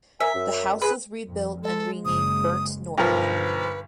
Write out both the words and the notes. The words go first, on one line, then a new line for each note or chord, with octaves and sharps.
The house was rebuilt and renamed Burnt Norton.
A#4 E5 G#5 A#5
F#2
G#4 B4
F2
G#3 A4
F#1 C#3 G#3 D#6
B1 G2 D3 F3 A#4 B4